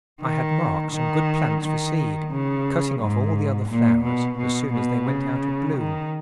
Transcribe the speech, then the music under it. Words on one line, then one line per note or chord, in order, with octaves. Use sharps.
I had marked some good plants for seed, cutting off all the other flowers as soon as they went out of bloom.
D#3
D#3
D#3
C#3
G#2
A#2
B2
B2
B2
C#3
D#3